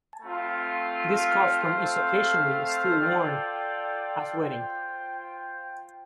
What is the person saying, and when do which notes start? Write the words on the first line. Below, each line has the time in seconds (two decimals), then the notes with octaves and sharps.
This costume is occasionally still worn at weddings.
0.23 A3 C4 F4
1.61 A3 C4 A4 C5 F5
3.00 F4 A4 D5 G5
4.39 F4 C5 G5